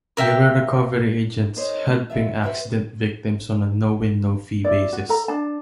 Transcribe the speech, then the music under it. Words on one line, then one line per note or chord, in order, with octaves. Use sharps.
They were recovery agents "helping" accident victims on a "no win no fee" basis.
A#4 E5 F5 G5
D#4 G#4 A#4 C5 C#5 D#5
B2 A3 A#3
F2 F#3 F4 E5
F#4 B4 C5 E5 G5
E4 D5
F#4
A4 A#5
D4 A5